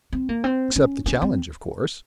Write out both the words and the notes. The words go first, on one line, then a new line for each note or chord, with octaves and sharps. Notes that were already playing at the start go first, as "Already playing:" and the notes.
"Accept the challenge, of course."
C4
A#3
C4
C#4
C#4
C4